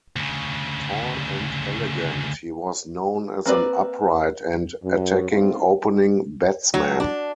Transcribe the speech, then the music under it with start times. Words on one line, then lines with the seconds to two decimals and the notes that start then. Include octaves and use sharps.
Tall and elegant, he was known as an upright and attacking opening batsman.
0.16 D2 C#3
3.46 A#3 C4 B4 D5
4.82 F#2
5.30 A3 B3 C4 D#4 F4
6.74 F#3
7.00 D4